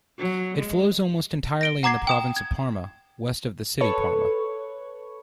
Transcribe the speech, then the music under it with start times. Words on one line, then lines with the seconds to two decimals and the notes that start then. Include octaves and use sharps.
It flows almost entirely in the province of Parma, west of the city Parma.
0.18 F#3
0.58 G#3
1.61 A#6 D7 G7
1.83 F#5 A#5 D6 G#6 C7
2.07 G5 D#6 E7
2.36 G#6
3.81 A4 B4 C#5 C#6